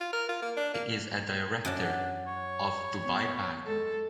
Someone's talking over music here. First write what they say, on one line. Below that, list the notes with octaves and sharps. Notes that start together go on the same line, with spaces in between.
He is a director of Dubai Bank.
F4
A#4
F4
A#3
D4
A#3
F#2 F#3 D4 A5
C#5
B3
G#3 A4